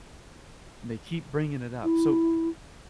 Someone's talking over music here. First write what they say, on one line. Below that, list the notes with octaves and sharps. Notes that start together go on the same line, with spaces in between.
and they keep bringing it up. So,
E4